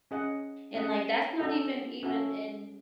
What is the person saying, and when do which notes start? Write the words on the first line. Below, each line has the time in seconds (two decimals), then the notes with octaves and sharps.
and, like, that's not even even in
0.11 C#4 G#4 D#5 F#5
0.75 C#4 G#4 D#5 F#5
1.39 C#4 F#4 A4 E5
2.03 C#4 F#4 A4 E5